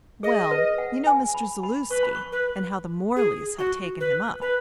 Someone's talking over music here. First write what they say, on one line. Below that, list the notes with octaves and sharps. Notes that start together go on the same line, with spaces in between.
"Well, you know Mr. Zaluski, and how the Morleys have taken him up?"
G#4 D#5
B4
F#5
G#5
B5
B5
B4 C#6
B5
C#6
B4
G#4
F#4 C#6
B4
B4 B5